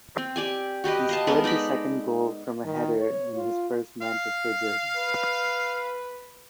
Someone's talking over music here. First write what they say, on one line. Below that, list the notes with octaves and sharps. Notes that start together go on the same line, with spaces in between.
He scored the second goal from a header in his first Manchester derby.
C4
G4 D5 G#5
F#4 G4 B4 D#5
D#5 F5 A5
G#3 B3 A4 A#4
D#4 D5 D#5 B5
D#3
C#5
F4
F5
B4